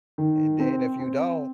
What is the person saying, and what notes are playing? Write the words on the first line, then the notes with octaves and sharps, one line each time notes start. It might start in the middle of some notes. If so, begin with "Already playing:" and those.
And then if you don't
D#3
C4
C4